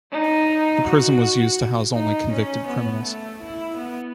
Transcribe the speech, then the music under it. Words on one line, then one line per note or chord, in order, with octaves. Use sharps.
The prison was used to house only convicted criminals.
D#4
F#4
D#4
C#4
B3
A3
E4
B3